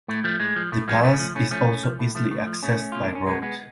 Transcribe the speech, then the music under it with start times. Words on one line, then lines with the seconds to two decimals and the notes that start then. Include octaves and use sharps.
The palace is also easily accessed by road.
0.08 A2 A3
0.24 F3 A3
0.40 A2 G#3
0.56 F3
0.72 A2 A3
0.88 F3 G#3 B3
1.03 A2 A3 C#4
1.19 F3
1.35 A2 A3 C#4
1.51 F3 A3 C#4
1.67 A2
1.83 F3
1.99 A2 A3
2.15 F3 A3
2.31 A2 A3
2.47 F3
2.63 B2 A3 C#4
2.92 B2 F4
3.03 D4
3.15 C#4
3.26 B2 G#3 B3
3.42 G#3 B3